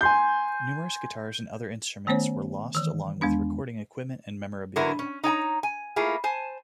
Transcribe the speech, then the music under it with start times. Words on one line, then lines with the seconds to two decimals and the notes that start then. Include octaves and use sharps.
Numerous guitars and other instruments were lost along with recording equipment and memorabilia.
0.01 G#5 C6 G6
2.07 D#3 A3 B3 C#4 C5 C#5
2.75 D#3 E3
3.21 E2 G#3 B3 D4 B5
4.76 D3 F#3 B3 E4 A#4
4.99 C#4
5.24 D#4 C#5 G5 A#5
5.63 G#5
5.96 A3 A#3 E4 F4 G#4
6.24 C5 G#5 A5